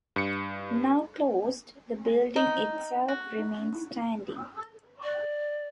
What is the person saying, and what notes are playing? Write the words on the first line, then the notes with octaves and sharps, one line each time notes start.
Now closed, the building itself remains standing.
G2 C#7
D#4
F#4
D5